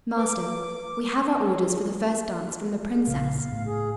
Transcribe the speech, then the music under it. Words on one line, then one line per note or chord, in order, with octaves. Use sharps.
"Master, we have our orders for the first dance from the princess."
B4 D6
A#1 C#3 B3 F5
A2
G#4